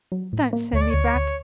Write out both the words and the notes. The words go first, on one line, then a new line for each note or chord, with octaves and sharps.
Don't send me back!
F#3
A2
A#3
D2 C#5
D5
D2 C#5
D2